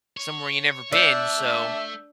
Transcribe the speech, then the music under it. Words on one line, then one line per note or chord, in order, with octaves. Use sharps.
somewhere you never been, so
C#5
A3 D4 E5 E6 G6